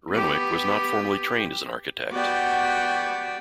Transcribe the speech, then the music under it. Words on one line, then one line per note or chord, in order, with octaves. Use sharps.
Renwick was not formally trained as an architect.
B3 G4
B3 F#4 G4 D5 G5